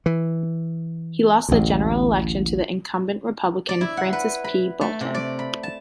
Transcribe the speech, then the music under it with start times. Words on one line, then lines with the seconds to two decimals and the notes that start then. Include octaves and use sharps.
He lost the general election to incumbent Republican Frances P. Bolton.
0.06 E3
1.49 A1 D2
3.69 D5
3.81 E4
3.97 F#5
4.13 B4
4.44 B5
4.81 A3
5.01 C3
5.14 D5
5.39 B5
5.63 A5